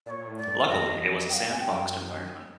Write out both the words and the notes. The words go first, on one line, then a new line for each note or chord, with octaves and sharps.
Luckily it was a sandboxed environment.
A#2 D5
C#5
A#2
A2
D5
G2
F#2 D#5
F2
E2
F2
F#2 F5 G5
G2 G#5
G5
F#2